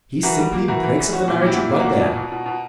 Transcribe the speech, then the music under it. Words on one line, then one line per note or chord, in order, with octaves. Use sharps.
He simply breaks up the marriage right there.
E3 F#4 A#4
G3
A#3
E3 F#4 A#4
E3
E3
C#4 F#4
F#4
A#2
A#2 E4 G4
F#4
A#2 E4 G4
A#3
F#4 A#4
A#2
B2
B2
B2
B2